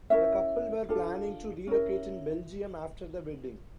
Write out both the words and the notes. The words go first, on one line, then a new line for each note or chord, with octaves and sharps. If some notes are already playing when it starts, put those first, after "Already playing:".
The couple were planning to relocate in Belgium after the wedding.
C#4 E4 A#4 E5
D4 F4 A4
C#4 E4 A#4